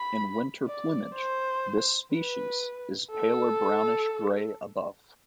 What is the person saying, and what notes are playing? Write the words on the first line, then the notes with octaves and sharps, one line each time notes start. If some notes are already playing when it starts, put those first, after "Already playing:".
In winter plumage, this species is paler brownish gray above.
Already playing: B5
D5
C5
B4
A4